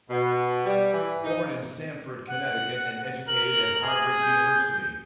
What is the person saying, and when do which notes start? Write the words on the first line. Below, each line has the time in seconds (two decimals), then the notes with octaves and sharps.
Born in Stamford, Connecticut, and educated at Harvard University.
0.09 B2
0.64 G3
0.92 E3
1.24 D#4
2.27 F#5
3.28 A#4 F#7
3.83 G#4
4.22 G6